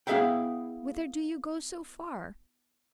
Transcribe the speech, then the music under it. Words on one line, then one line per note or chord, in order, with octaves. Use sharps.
Whither do you go so far?
B3 E4 G#4 E5 F5 G5